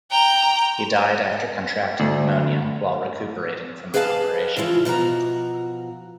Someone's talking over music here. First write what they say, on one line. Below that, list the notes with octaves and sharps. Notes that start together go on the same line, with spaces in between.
He died after contracting pneumonia while recuperating from an operation.
G5 A#5
D2
G#4 B4 D#5 F5 F#5 A5
C#3 E3 F3 F4
B2 F3 F#4 A#5